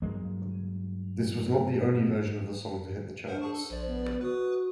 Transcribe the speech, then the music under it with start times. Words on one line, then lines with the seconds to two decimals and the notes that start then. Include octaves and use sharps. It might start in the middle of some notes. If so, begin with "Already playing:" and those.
This was not the only version of the song to hit the charts.
0.02 G2 F#3 G#3 A#3
3.27 D4 A#4 C5 F#5
3.42 G#4 A5 C#6
3.54 A4
3.70 A#1 C5 D5
3.87 B3
4.21 F#4 B4 D#6